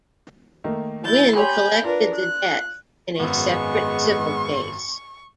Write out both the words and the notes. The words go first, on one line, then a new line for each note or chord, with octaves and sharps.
Wynn collected the debt in a separate civil case.
D#3 A3 A#3
E4 G6 A6
G4 C#5 G#5 B5 C6 G6
D4 F4 A#4 B4
F#6
G#1 F#2 G#3 B3 C#6